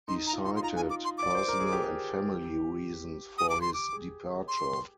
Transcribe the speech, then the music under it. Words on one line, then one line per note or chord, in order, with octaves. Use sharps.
He cited personal and family reasons for his departure.
D#4 C6
A#5
F4
D#4 C6
C6
F4 A#5
G#5
D6
C6
D5 D6
C5
A#4
G#4
G4
D#6
D6
C6
D6
G#4
C6